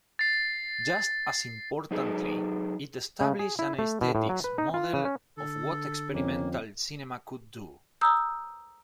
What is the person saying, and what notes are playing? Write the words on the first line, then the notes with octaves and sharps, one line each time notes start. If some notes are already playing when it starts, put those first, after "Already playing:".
Just as importantly, it established an aesthetic model of what experimental cinema could do.
A6 C7
F#3 D#4 G#4 A4 B4
C#3
G#4
E4
A3
B2
A2
F#3
B4
D#4
F4
C#3
C#4
D3 A4
F2 A#3 C#4
A#5 D#6 E6 G6